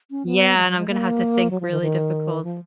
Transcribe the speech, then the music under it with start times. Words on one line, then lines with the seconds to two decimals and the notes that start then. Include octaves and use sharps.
yeah, and I'm gonna have to think really difficult.
0.11 C#4
0.26 B3
0.57 G#3
0.63 F3
0.67 F#3
0.77 G#3
0.88 A#3
1.50 F#3
1.60 F3
1.71 D#3
1.81 D#3
2.43 F3